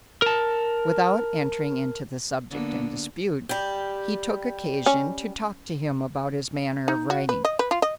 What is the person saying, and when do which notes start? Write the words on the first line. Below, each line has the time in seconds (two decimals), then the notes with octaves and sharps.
Without entering into the subject in dispute, he took occasion to talk to him about his manner of writing.
0.22 A#4 A5
2.50 D3 A#3 B3
3.49 G3 G4
4.86 C#4
6.88 D#4
7.10 F#4
7.29 B4
7.45 D#5
7.59 B4
7.71 F4
7.82 D#5